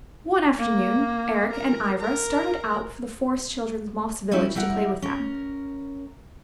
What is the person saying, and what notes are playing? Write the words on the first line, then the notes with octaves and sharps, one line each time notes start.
One afternoon Eric and Ivra started out for the Forest Children's moss village to play with them.
A#3
A#4
A#4
G3 C#4 D#4 E4
G3 E4 A#4 F#5
C#4 A#4